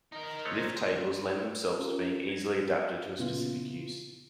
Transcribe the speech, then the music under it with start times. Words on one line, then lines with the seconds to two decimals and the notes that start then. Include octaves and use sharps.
Lift tables lend themselves to being easily adapted to a specific use.
0.12 D#4 A#4
0.45 G#3 A3 C5 C#5
1.79 C#4 F4 G4 A#4
2.29 G#6 A#6
3.19 A#2 C#3 B3 E4 F4